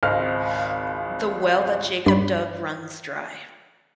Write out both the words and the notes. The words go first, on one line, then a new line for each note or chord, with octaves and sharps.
The well that Jacob dug runs dry.
G#1 C#2 C4 D#5 F6
G2 B5